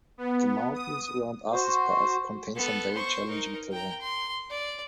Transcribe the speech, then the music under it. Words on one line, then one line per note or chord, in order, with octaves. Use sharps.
The mountains around Arthur's Pass contain some very challenging terrain.
B3
D#6
F#4 C5
B3 A4
C5 C#6
D#4 A#4
G5 A#5
C6
D5